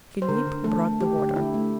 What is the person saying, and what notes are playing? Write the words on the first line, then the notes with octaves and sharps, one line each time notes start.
Philip brought the water.
C5
D3 A#4
D3
A3 A4
A3
A3 G4
D3
D3 E4
A3